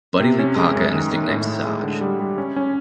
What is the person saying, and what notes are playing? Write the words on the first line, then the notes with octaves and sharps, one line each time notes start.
Buddy Lee Parker and his nickname Sarge.
C3
C#4
G#3
F#2
D#3
D#3
A2
A2
G#3
D3
G3
G3
C#4
C#4